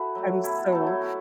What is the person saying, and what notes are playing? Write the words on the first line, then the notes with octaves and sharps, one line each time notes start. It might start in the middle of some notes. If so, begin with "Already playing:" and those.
I'm so
Already playing: E4 F#4 A4 B4
F#3 A3
B2 E4
A4
F#3 A3 A4
E4
B3